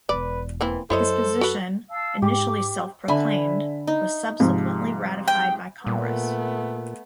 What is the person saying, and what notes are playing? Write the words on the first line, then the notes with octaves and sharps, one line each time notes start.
His position, initially self-proclaimed, was subsequently ratified by Congress.
E1 E2 B4 D5
E3 A#3 C4 E4
F#2 E4 A4 C5 C#5 D#5
F#4 B4
F5 A5 E6
G#2 G4 D6
D3 E5 G#5 B5
D#4
G#2 C3 F3
G5
A#2 A3 B3